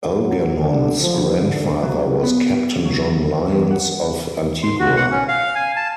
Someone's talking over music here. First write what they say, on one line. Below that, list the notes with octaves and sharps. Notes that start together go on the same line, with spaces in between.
Algernon's grandfather was Captain John Lyons of Antigua.
F#3
D3
F3
D3
F#3
B3
F#3
E2
F#5
C6
F#4
F#5
C#4
F5
G#5
A5